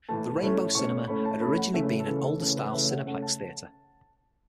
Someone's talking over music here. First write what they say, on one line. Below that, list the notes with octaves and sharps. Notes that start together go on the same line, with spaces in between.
The Rainbow Cinema had originally been an older style Cineplex theatre.
A2 E3 A3 A5
A2 A3 C#4
A2 A3 C#4 C#6
A2 A3 C#4 B5
A5
A2 A3 C#4 B5
F#5
C#3 E3 A3 C#4 E5
B4
F#4
A4
C#3 E3 A3 C#4 B4
A4
C#3 E3 A3 C#4 A4
B4
C#3 E3 A3 C#4 E5
F#5
C#3 A3 C#4 F#5
A5